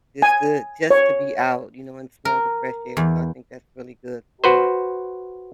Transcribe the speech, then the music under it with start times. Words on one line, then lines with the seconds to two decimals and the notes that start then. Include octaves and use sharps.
just to just to be out, you know, and smell the fresh air. So, I think that's really good for,
0.22 G#5
0.91 C#5
2.25 A#4
2.97 E2
4.44 F#4 B4 C5